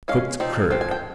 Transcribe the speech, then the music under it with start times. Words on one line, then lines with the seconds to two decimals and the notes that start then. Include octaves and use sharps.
Cooked curd.
0.08 G#3 C#4 F5
0.40 F3 C4 D#4
0.71 F3 C4
0.81 G#5
0.91 G5